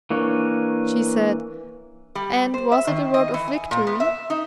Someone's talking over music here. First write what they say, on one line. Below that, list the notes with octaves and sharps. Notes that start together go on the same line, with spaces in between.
She said, "And was it a word of victory?"
E3 A#3 D4 C#5
G3
C5
E5
D#3
D#5
E3
G#5
A#2
B3
E5
D#4